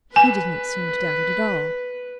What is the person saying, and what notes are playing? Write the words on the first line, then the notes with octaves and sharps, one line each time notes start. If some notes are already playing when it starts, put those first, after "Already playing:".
"He did'nt seem to doubt it at all."
B4 G#5